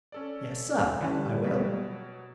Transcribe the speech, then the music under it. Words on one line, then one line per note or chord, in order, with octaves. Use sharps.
"Yes, sir, I will."
C#4 A4 D5
D3 E3 G3 C#4 B4 A5
B2 F#3 B6